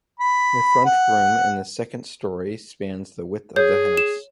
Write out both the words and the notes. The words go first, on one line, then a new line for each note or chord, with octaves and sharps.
The front room in the second storey spans the width of the house.
B5
F#5
G#4 C#5 G6
E7